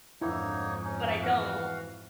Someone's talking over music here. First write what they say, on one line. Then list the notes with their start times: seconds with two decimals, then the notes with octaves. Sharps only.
but I don't.
0.22 F2 G#2 D3 A#3 D#4 E4 C#5
0.84 C#4 D#4
1.22 E3 F#4 F5